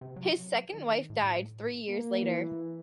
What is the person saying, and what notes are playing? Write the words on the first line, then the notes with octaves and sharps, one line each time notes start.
His second wife died three years later.
C3
F#3
D#3
A2
A#3
E3